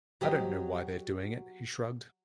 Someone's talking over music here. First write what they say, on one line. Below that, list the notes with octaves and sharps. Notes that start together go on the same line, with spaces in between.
"I don't know why they're doing it," he shrugged.
F#3 G4 D#5